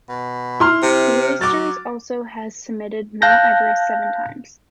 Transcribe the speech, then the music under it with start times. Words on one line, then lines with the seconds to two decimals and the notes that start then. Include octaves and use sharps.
Viesturs also has summitted Mount Everest seven times.
0.09 B2
0.60 E4 C6 F6
0.83 C3
1.41 F#3 D6 A6
3.22 F5 A5 F#6 G6 A#6